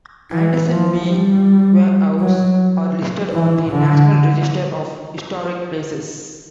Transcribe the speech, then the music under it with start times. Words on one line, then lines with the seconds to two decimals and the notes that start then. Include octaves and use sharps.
Anderson B. Quay House are listed on the National Register of Historic Places.
0.31 E3
0.70 F3
1.07 G3
2.20 F#3
3.33 E3
3.70 D3